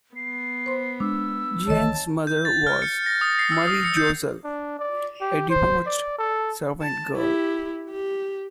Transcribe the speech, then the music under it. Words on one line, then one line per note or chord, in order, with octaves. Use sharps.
Jeanne's mother was Marie Jossel, a debauched servant girl.
B3 C7
C5 C6
G#3 D4 E6
C2 D#3 E3 C#5 D#5 A5
G6
A6
F6
C#7
A#6
D#6
C7
E6
D#6
C#7
G6
D4
D5
G4
C5
D5
A4
A5
E4 G4
G4